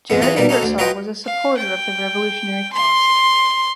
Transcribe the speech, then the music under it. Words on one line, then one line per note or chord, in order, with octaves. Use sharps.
Jared Ingersoll was a supporter of the Revolutionary cause.
F2 G#2 B3
E3 F#3 F4 F#4 G#4
B2 G3 A#3 B3
C#4 D#4 F#4 A4
D2
F#3 F4 B4 D#5 G5
F5
G5
C6